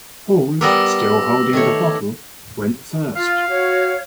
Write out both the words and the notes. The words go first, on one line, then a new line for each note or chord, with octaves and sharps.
Hall, still holding the bottle, went first.
G3 B3 A#4 D6 E6 A#6
D#3 A3 C#5
F4 F5
F#4 C#5